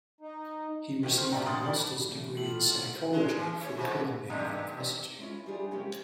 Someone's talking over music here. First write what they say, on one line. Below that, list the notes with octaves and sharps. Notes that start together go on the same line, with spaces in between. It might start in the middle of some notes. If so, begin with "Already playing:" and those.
He received a Master's degree in psychology from Columbia University.
D#4
D#2 C3 D#3
C5 F6
B3 D4 D5 E5 G5 A#5
A1 G5 C6 D#6 F6 A6
F2 D5 B5
E3 A3
A2 F4 F#7
G#1 F#2 C3
E2 G#3
E3
E4 C#5
G#2 C3 E3
E2 G2 B2 G#3 A#3 D4 D#4 G4
G#3 C#4 E4 F4
G3 D4 F4 G4 G#4
C3 F3 G#3 A#3 C#4 G4